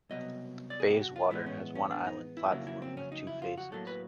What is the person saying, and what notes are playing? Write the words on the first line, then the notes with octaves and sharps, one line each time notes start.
Bayswater has one island platform with two faces.
C2 B2 F#3 D#5
D5
G#4
G4
F#4
F4
A2 E3 G#3 B3 E4
C#4
C#4
D4
D#4
E4
F2 C#3 F#3 A#3 E4
E4
C4
C#4
D#4
E4
F4
F#4
A2 F#3 A#3 A4
B4